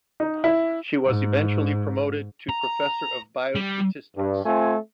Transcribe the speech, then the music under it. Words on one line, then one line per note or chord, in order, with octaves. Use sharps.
She was eventually promoted to Professor of Biostatistics.
D#4
E4
G#2
A#5
G3
G2
A3 C4 F4 G#5